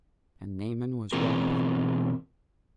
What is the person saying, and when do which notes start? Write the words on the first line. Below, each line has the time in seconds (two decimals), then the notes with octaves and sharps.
And Naaman was wroth....
1.12 B2 E3 C4 F4 G#4 A#4